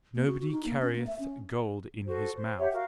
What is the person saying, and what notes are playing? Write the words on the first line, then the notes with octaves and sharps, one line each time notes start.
Nobody carrieth gold in his mouth.
A#3
F#4
F#4
D#4
A#3
C#4
A#3
E5
C#4
F#4 A4 C5
C5
G4 C#5 E5 F#5
F#4 A#4 F5